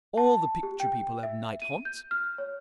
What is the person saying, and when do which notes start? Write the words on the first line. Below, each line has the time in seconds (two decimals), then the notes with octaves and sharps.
All the picture people have night haunts.
0.17 A5
0.63 G4
0.80 G5
1.23 E5
1.62 D#7
1.85 G6
2.11 F6
2.38 C#5